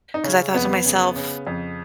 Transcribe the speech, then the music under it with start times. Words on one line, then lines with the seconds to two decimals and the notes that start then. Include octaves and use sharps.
'cause I thought to myself,
0.14 D#4
0.24 C#3 C#4
0.54 F2 B3
0.85 C#3
1.16 C#3
1.47 F2